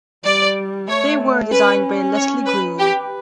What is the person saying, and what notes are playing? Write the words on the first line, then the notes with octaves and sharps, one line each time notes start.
They were designed by Leslie Green.
G3 D5
A3 C#5
C#4 B4
C#5
B4
G4 B4